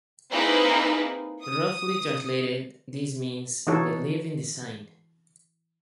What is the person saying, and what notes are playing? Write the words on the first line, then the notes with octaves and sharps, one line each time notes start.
Roughly translated, this means "Believe in the sign".
A#3 C4 D#4 E4 G#4 B4
D#6
E3 D#4 F#4 A4 C#5